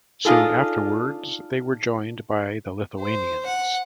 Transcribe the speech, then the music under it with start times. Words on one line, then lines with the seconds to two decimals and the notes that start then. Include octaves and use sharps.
Soon afterwards, they were joined by the Lithuanians.
0.25 D4 D#4 F4 G#4 A4
2.99 C5
3.45 F#5